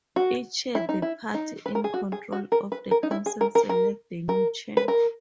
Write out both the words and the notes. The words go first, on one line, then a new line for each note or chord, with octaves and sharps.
Each year the party in control of the council selects the new chair.
F#4
E4
D#4
E4
D#4
B4
A#4
G#4
F#4
G#4
F#4
A#4
B4
A#4
D#4
E4
G#4
A#4
A#4
A#4
A#4
B4
A#4